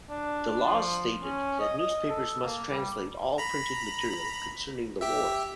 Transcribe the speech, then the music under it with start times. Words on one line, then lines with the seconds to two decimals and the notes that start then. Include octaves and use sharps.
The laws stated that newspapers must translate all printed material concerning the war.
0.10 D4
0.66 F3
1.22 C#4
1.60 D#5
1.78 D#5
2.10 A4
2.43 A#3
2.71 G3
3.38 A#5 B5
5.01 G4 E5